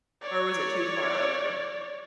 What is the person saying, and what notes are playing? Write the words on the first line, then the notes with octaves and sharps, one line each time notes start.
Or was it too far over?
C#5 D5